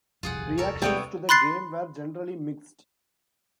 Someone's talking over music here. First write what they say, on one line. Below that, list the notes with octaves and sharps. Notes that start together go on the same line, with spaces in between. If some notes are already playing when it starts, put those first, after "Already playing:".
Reactions to the game were generally mixed.
D#1 C2 F2 F4 G#4 F#5
A4 A#4 C#5
C3 G3 B3 C#5 G5
B5 C6 F#6 A6 C7